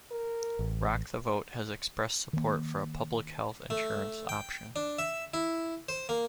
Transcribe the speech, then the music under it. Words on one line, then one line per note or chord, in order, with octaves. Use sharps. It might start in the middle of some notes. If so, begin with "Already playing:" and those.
Rock the Vote has expressed support for a public health insurance option.
A#4
A1
D#3 A#3
A3
G5
D4
E5
E4
C5
A#3